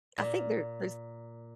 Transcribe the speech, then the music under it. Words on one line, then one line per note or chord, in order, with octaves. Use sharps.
I think there those
A#2